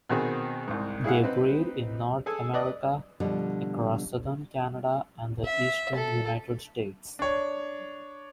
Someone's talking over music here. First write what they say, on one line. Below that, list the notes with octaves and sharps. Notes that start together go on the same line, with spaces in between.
They breed in North America, across southern Canada and the eastern United States.
B2 D#3 C4 G#4
C2 G#2
E4 G#4 F5 F#5
C4 D#4 B4
G#4 A4 G#5
B4 D5 D#5
B2 D3 F3 G3
E5
A4
D4 C#5